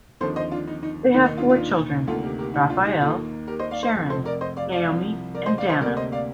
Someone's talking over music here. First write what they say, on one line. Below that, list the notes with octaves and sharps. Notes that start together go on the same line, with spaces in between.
They have four children: Rafael, Sharon, Naomi and Danna.
D#2 D3 F3 C4 A4 C5
C5 D#5
D4 F4
D#4
D#4
D#2 D#3 A#3 D#4
D#4
D4 F4
D4 F4
D2 C3 D#3 A#3 F4 A4
G4 A#4
G4 A#4
D#4 G4
D4 F4
D#4 G4
D#2 D#3 A#3 F4 A4
G4 A#4
C5 D#5
D5 F5
C5 D#5
F1 F2 C3
A4 C5
A#4 D5
C5 D#5
D5 F5
D5 F5
C2 C3 F3
A#4 D5
C5 D#5
D5 F5
C5 D#5
D2 C3 G3 A#3 A#4 D5
C5 D#5
D5 F5